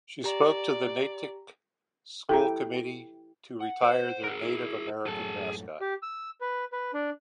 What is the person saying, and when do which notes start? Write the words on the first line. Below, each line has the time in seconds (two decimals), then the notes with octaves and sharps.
She spoke to the Natick School Committee to retire their Native American mascot.
0.24 G4 D5 A#5
2.29 E4 G4 A4 G5 A#5
3.60 F#5
3.84 C5
4.24 G#4 A#4
4.43 E4
5.06 F#2 A2 G#4 A4 A5
5.81 G4
6.03 E6
6.41 B4
6.73 B4
6.94 D4